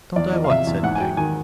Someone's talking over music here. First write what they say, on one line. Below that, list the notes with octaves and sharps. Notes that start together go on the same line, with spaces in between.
'Don't I what?' said Peg.
E2 D5
F3 D#5
F5
C3 E5
E2
G#2 F#5
G#5
F#3 G5
D#3 G#5